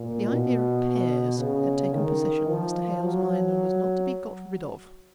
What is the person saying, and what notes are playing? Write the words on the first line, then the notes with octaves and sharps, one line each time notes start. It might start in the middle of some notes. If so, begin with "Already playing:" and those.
But the idea of pears had taken possession of Mr. Hale's mind, and was not to be got rid of.
Already playing: A#2
B2
C#3
D#3
F3
F#3